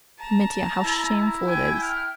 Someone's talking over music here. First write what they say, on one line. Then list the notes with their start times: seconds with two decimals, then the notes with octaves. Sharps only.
Mitya, how shameful it is!
0.19 A5 A#5
0.84 E4
1.46 G5 G#5
1.82 F6